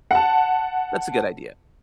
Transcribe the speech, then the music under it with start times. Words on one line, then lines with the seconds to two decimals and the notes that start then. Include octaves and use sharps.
That's a good idea.
0.11 F#5 A5